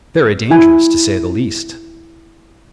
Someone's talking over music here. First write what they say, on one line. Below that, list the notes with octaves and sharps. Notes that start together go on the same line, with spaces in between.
"Very dangerous, to say the least."
E4 G#5